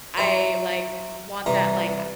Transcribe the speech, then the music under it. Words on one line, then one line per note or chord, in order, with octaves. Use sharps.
I, like, want that, like, a
F#3 E4 C5
C2 E3 A#5